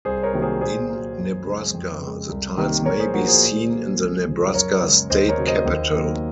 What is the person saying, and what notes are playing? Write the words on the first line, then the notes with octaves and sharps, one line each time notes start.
In Nebraska, the tiles may be seen in the Nebraska State Capitol.
C2 G#4 C5
A#4 C#5
C3 D#3 F#3 A#3
G#4 C5
A#2 G#4 C5
F#3 A#3
F#2
C#3 G#3
F2
C#3
G#3
C2
C3 D#3 A#3
A#2 A#4 C#5
G#4 C5
F3 A#3 F#4 A#4
G#4 C5
A#2
F#3 A#3
C#2
C#3 F3
F#2 A#4 C#5
C#3 G#3
D#2 C5 D#5
A#4 C#5
C#3 F#3
C5 D#5
D#2
D#3 F#3 A#3